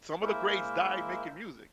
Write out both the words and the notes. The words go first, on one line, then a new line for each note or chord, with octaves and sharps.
some of the greats died making music,
G#3 A#3 E4 A#4 C5 E5